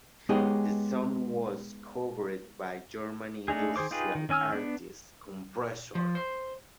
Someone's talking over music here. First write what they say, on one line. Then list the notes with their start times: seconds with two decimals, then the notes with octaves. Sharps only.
The song was covered by German industrial artist Kompressor.
0.29 G#3 B3 D#4 G4 G#4 C#5
3.48 A3 D4 D#4 G#4
3.76 D#3 G#4 C5 D6
3.91 D#4 F4 G4 G#4 B4
4.15 D#3
4.29 D#3 C#4 G#5 E6 F6
4.53 B3 D4
5.95 F3
6.15 C5